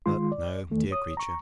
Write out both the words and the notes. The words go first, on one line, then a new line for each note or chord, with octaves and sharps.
But no, dear creature!
D#3 G#3 F4 C6
D5
E2 D#3 A3
C#5 D#6
A#5 C#6